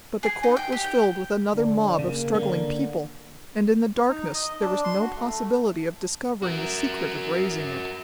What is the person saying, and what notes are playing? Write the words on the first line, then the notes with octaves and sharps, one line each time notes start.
But the court was filled with another mob of struggling people, and in the darkness there was no possibility of discovering the secret of raising it.
G#4
D#4
G5
G4
G5
D3
C#3 A#3
D3
D#4
D#5
D4
C6
F#4
A3
F#4 A#4